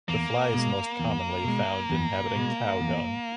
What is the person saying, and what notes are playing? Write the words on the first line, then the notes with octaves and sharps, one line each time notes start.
The fly is most commonly found inhabiting cow dung.
E2 A#3
B2 G#3
E2
B2 G#3
E2
B2 G#3
E2